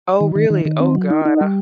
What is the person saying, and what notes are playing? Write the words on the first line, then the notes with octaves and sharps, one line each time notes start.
Oh, really? Oh, god. Uh,
D#3
D#3
D#3
D#3
C4
F#3
D#4
D#4
G3